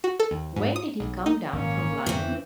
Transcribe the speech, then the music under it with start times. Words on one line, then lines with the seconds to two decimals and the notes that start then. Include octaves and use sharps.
When did he come down from London?
0.04 F#4
0.20 A4
0.31 D#2
0.56 G#2
0.76 D#6
1.00 B1
1.26 D#4
1.53 G#1 A#2 A#3 C#4 C#5
2.06 F2 D3 E3 C4